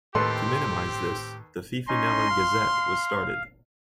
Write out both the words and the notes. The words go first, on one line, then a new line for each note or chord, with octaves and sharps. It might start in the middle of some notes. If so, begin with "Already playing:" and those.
To minimize this, the "Fifinella Gazette" was started.
D#2 A2 C4 G4 A4 B4 C6
C#4 D#4 D#5 C6
F5